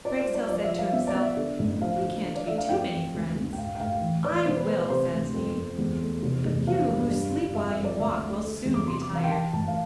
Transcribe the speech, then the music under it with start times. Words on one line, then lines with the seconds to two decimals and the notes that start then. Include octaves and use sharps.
Drakestail said to himself: 'We can't be too many friends.'... 'I will,' says he, 'but you who sleep while you walk will soon be tired.
0.05 F4 D5
0.20 C5
0.27 G3
0.35 D5
0.49 F3 D5
0.64 E5
0.71 F3
0.78 F5
0.92 B3 E5
1.07 D5
1.15 B3
1.22 E5
1.37 D3
1.59 A1
1.81 F3 F5
2.04 D3
2.25 D3
2.35 D5
2.47 A3 E5
2.58 F5
2.69 F2 G5
2.92 F2
3.14 D2
3.36 D2
3.53 G5
3.58 A2 F5
3.75 G5
3.79 A2 F5
4.01 E3
4.23 E3 D5
4.45 B2 C5
4.57 B4
4.67 A3 C5
4.79 B4
4.90 C3 C5
5.12 D2
5.34 F2
5.56 F2
5.78 E2
6.00 A3
6.23 F1
6.44 E2
6.67 F3 F5
6.88 G2
7.11 G2
7.33 G1
7.55 F2 E5
7.70 E5
7.77 F2
7.84 D5
7.99 D2 E5
8.21 D2
8.43 A3
8.65 E2
8.74 D6
8.87 C3 C6
9.01 D6
9.09 E3
9.15 F5
9.24 G5
9.31 E3 A5
9.53 A1 A5
9.68 F5